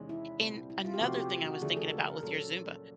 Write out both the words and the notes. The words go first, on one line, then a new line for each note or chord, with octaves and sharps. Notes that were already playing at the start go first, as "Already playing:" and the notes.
and another thing I was thinking about with your Zumba:
Already playing: E2 C3 D#3 G#3 C#4
E4
C2 A#2 G3 C4
E4
F4
G4
C3 F3 A3 C4 F#4
G4
G4
F#4
D#2 C#3 F3 A3 D4 G#4
A4
A#4
A#4
A#2 F#3 A#3 C#4 A4
A4